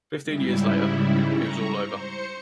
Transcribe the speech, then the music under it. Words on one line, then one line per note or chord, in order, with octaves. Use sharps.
Fifteen years later, it was all over.
G#2 C#3 G3 E4
A#5 C#6
C5 C#7